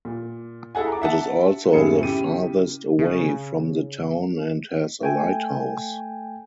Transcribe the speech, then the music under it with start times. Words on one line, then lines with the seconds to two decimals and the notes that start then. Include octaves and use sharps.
It is also the farthest away from the town and has a lighthouse.
0.05 A#2
0.75 E4 G#4 A4 F#5 G#5
0.88 A#5 D6
1.02 E5 F#5 A5
1.73 F#2 A2 B3 G#4 C#7
2.03 C#3 E4 G4 D#7
2.99 C#3
5.01 A3 G5 G#5